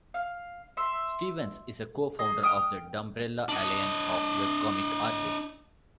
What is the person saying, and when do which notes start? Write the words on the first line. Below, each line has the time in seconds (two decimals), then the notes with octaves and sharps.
Stevens is a co-founder of the Dumbrella alliance of webcomic artists.
0.14 F5
0.77 E5 C6
2.19 G#4 D#5 D#6
2.42 G5 D#6 F6
3.49 D4 D#5